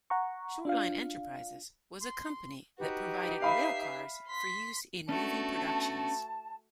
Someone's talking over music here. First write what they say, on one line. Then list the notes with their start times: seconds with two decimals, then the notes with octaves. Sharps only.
Short Line Enterprises was a company that provided railcars for use in movie productions.
0.10 F#5 A#5 C#6
0.65 D4 F4 F5
2.01 C6
2.78 D#4 F#4 G4 B4
3.42 E5 F5 B5 C7
4.27 C6 B6
5.09 A3 B3 C#4 D4 F#4 A5